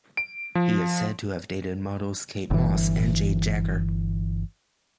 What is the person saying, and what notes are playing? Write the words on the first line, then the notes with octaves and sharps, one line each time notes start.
He is said to have dated models Kate Moss and Jade Jagger.
D7
F3
G1 E3